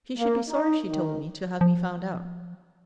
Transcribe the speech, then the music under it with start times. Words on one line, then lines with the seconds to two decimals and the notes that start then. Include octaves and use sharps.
She should be sorry, she told me, to have me found out.
0.18 A#3
0.48 D#4
0.89 D#3
1.61 F3